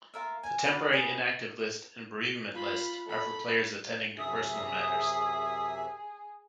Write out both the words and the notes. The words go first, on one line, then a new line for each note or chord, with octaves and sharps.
The temporary inactive list and bereavement list are for players attending to personal matters.
F4 A#4 E5
G#5
F#4 B4 D5 F5
G#4 D#5 B5
F4 B5
A4 B5
F#2 C3 G#4 E5 D#6